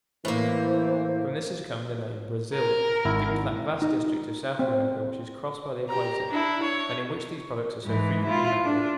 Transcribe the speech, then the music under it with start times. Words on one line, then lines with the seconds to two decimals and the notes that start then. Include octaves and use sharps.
From this has come the name "Brazil," given to that vast district of South America which is crossed by the equator, and in which these products are so frequently met with.
0.25 A2 E3 A#3 C5
2.53 A#4
3.05 G#1 E4
3.82 D#4
4.59 C4
5.89 G4 A#5
6.29 D4 E4
6.63 C#5
7.86 G#2 E3
8.25 E4 F4
8.64 D4